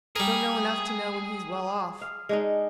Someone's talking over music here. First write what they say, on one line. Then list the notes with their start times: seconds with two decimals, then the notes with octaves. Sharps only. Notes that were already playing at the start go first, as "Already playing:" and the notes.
Don't know enough to know when he's well off.
0.16 G3 G#4 A#4
2.01 F5
2.29 G#3 D4 D#4